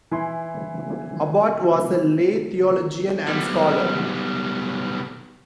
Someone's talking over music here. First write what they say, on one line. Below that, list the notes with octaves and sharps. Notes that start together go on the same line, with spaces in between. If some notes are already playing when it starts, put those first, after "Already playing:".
Abbot was a lay theologian and scholar.
E3 E4 G#5 C6
B1 G3